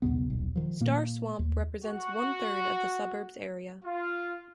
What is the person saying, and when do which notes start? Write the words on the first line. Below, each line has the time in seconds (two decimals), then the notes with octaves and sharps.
Star Swamp represents one-third of the suburb's area.
0.02 B1 E2 C#3 B3
0.30 D#1 B1
0.56 D#3 F3
0.80 A#2 A#3
1.39 D#2
1.85 F#4
3.85 F4